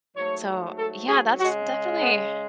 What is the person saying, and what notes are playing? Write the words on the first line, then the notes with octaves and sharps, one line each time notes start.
So, yeah, that's definitely
G#2 F#3 A3 C#5
A4
G#4
C#3 G#3 F#4
B3